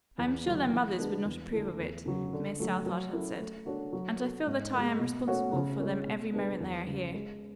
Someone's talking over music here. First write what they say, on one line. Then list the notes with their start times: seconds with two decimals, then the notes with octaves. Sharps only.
"I am sure their mothers would not approve of it," Miss Southard had said, "and I feel that I am responsible for them every moment they are here."
0.18 E2
0.46 D3 F#3 A3 E4
0.72 E3
0.99 G#3 D4 G#4 B4
1.25 E2
1.52 D3 A3 E4 A4
1.80 E2
2.06 C#3 F#3
2.33 D3
2.59 F#3 A3
2.86 F#3
3.13 C#4 E4 A4
3.39 A3
3.66 D4 F#4 A4 C#5
3.93 F#3
4.20 B3 F#4 A4
4.47 G#2
4.73 G#3 B3
5.00 B2
5.27 A3 C#4 F#4 C#5
5.53 C#3
5.80 G#3 C#4
6.07 B2
6.33 G#3 D4 G#4 B4
6.60 E2
6.87 C#3 G#3
7.14 G#3